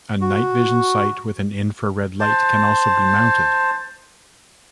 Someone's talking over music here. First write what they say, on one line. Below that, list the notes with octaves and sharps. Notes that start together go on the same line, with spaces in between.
A night vision sight with an infra red light can also be mounted.
F#4
C5 A5